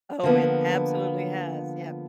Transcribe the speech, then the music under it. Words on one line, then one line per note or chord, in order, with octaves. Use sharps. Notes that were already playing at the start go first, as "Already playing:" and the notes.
Oh, it absolutely has. Yep.
D3 F3 A#3 B3